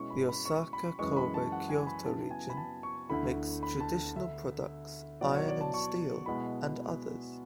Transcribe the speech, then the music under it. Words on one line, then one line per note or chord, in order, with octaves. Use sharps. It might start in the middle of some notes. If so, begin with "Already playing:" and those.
The Osaka-Kobe-Kioto region makes traditional products, iron and steel, and others.
Already playing: B2 G#3 C#4 E4 C#6
B5
B5
C#6
B5
F#2 E3 G#3 C#6
B5
A5
F#5
G#5
B5
C#3 F#3 B3 E4 A5
A5
G#5
B5
A5
C#6
D2 D3 A3 E4 B5
B5
A5
D2 D3 A3 E5
B2 F#3 B3 E4 D5
C#5
D5
A5
C#6
B2 G#3 B3 E4 B5